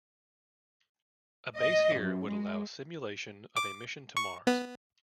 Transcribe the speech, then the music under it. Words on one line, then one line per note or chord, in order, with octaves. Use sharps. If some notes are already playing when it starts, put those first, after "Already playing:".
A base here would allow simulation of a mission to Mars.
D#5
F#2
G#3
D6
C#6
B3